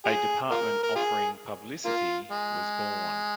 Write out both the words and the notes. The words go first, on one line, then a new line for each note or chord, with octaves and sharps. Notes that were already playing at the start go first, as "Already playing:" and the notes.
A department offering Publicity was born.
F4 G#4
F4 A#4
A#4
F4 G#4
A#3 F4
G#3